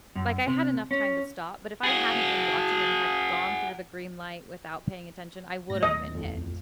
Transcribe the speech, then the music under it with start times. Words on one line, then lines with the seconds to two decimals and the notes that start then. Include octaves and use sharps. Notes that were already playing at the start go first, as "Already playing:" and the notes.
like, I had enough time to stop, but if I hadn't been watching and had gone through the green light without paying attention I would've been hit.
0.15 F#2
0.47 C3
0.91 C#4
1.84 F#4 G#4
5.70 G#2 A3 A#6
5.83 D#2 A2 F3 D#5
6.15 A1 F2